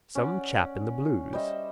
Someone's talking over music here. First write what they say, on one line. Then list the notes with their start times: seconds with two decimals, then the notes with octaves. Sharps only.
Some chap in the blues.
0.15 C#4 D5 F#5
1.33 G3 C5 D#5 E5